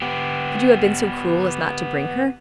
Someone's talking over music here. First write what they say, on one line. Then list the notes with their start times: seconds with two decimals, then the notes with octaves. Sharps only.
"Could you have been so cruel as not to bring her?"
0.02 B3 G4